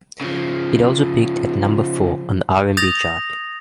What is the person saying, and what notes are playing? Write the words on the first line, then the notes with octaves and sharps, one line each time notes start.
It also peaked at number four on the R and B chart.
C#3 F3
D#6 G6 A6 A#6 F7